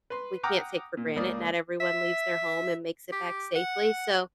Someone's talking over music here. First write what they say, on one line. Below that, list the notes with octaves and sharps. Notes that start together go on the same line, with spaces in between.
we can't take for granted, not everyone leaves their home and makes it back safely, so,
B4 C6
F#5 G5 A#5 D6 D#6 F6
A#2
C#2 A#3 D5 D#6
E5
G4
F#5